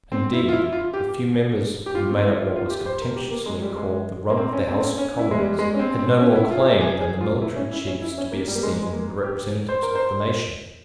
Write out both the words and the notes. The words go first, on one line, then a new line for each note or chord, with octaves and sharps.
Indeed the few members who made up what was contemptuously called the Rump of the House of Commons had no more claim than the military chiefs to be esteemed the representatives of the nation.
C4
E4
F4
E4
F4
G4
G4
F4
C4
E4
F4
F4
G4
C5
A#4
G4
A#3
G#3
G3
G#3
A#3
C4
C#4
C4
C#4
C#4
E4
G#3
G3
G#3
C#4
C4
C4
C#4
E4
F4
G#4
G4
G#4
G#4
F4
E4
C#4
E4
C#4
E4
C#4
A#3
G3
A#3
G#3
G#3
A#3
G4
C5
A#4
C5